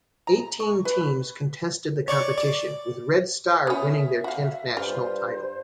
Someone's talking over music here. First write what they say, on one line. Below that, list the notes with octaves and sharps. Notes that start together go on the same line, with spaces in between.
Eighteen teams contested the competition, with Red Star winning their tenth national title.
A#5
C#6
B4
C#5 D5 C#6
D5
B3 C#4 E5
F#4 F5
G2 F4 C5